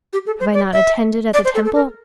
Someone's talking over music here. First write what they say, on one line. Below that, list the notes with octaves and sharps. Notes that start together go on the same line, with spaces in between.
Have I not attended at the Temple?
G4
A4
C5
D5
E5
D5
C5
A4
A4
A#4